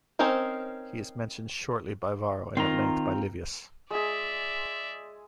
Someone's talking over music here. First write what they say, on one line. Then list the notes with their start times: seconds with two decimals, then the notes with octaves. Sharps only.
He is mentioned shortly by Varro and at length by Livius.
0.19 C4 C#4 D#4 A#4 C5
2.57 D#3 C4 F4 A#5
3.90 G#3 G#4 D5 E5